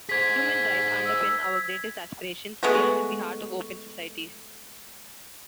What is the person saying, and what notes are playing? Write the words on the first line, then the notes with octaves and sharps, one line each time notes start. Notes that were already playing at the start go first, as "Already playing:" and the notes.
Human rights underpin our greatest aspirations: they're at the heart of open societies.
G#4 C5 G#6 B6
E6
G#3 A3 B3 F#4